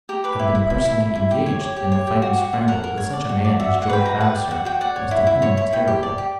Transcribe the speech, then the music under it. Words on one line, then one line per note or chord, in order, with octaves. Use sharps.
To have been personally engaged in a fighting scramble with such a man as George Vavasor was to him terrible.
G4 A#5
B4 D6
E4
E4
E4
E4
E4
E4
G4
C#5
C#5
G4
C#5
G4
F#4
F#4
F#4
A#4 F#5
A#4
C#5
D5
F#4
D5
F#4 E5
F#4
F#5
B4 G5
F#4 A#5
B4 F#5
D5 G5
F#4 F#5
F#4 G5
D5 F#5
C#5
E4
E4
C#5 C#6
E4 C#6
E4 G5
G4
D5
G4